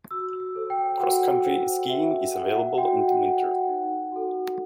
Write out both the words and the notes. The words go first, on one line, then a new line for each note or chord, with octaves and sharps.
Cross-country skiing is available in the winter.
F#4 E6
E6
A4 C5
G5
F#4 F#5
A4 C5
F#4 E5
A4 C5 F#5
E5
F#5
F#4 G5
F#5
A4 C5
F#5
D#4
F#4 A4